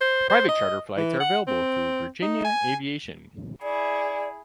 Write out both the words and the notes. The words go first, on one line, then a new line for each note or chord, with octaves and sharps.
Private charter flights are available through Virginia Aviation.
C5
C5
D#5
E3
F#5
C4
D#4
G#5
E4 G#4 D5